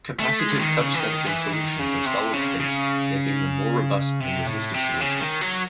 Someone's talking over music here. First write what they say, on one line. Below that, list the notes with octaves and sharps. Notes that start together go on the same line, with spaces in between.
Capacitive touch sensing solutions are solid state, making them more robust than resistive solutions.
A3
G#3
C#3
D#3
C#3
E3
D#3
E3
D#3
C#3
C3
C#3
C#3
C3
A2
C3
C#3
D#3
F#3